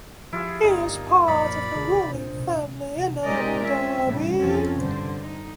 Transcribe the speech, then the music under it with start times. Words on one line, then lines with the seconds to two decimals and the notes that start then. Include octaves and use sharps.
He is part of the ruling family in Abu Dhabi.
0.33 F3 E4 F4 G4 G#4
0.63 G1 A#2 D#4
1.27 F#2 A#2 F3 A#3 D#4 D5 B5
1.75 C#2 B2 D3 G#4
2.10 D1 A#2 D4 C5
3.25 G#3 D#4 G4 A#4 D5 D#5
3.63 C#4 F4 E5
4.06 A2 C#3 G3
4.36 F2 F3 C4 C#4 F4 A4
4.78 G2 D3 C5
5.22 D#4